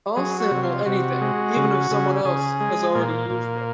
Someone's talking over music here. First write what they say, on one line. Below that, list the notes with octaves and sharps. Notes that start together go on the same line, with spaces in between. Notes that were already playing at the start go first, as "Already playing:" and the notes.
I'll sample anything, even if someone else has already used it.
F#3 G#4
F#4
C3
F4
C3 F#4
G#3
C#3
C#3
C#3 G#4
G#3
A#2 A#3
A#2